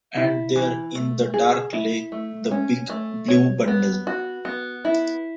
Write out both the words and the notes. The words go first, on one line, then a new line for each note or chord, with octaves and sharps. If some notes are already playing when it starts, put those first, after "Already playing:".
And there in the dark lay the big blue bundle.
E4
E3
A3
G#4
E4
A3
C#4
A3
C#5
B3
F#4
B3
E4